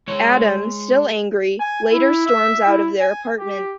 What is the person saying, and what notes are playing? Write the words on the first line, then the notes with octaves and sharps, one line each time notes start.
Adam, still angry, later storms out of their apartment.
G#3 C#5
G#5
E4
E5
E4
G#5
G4